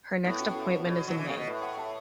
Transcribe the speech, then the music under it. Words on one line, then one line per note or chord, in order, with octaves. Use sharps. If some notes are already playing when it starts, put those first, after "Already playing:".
Her next appointment is in May.
A2 B3 E4
C#4 F#4
E4 A4
F#4 B4
B2 A4 C#5
F#3
E3
C#3
B2
A2 B4 E5
C#5 F#5
E5 A5